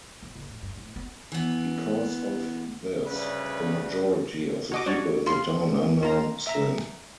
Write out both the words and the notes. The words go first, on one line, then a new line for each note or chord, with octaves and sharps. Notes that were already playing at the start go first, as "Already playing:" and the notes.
Because of this, the majority of the people in the town are now Muslim.
G1
F#1
A2
G2
A2
B3
E3 B3
D2 C#3 G3 B4
F#4 D#5 D6
F#4 C#5 D5
F4 C6
F4 A#5
E5 A#5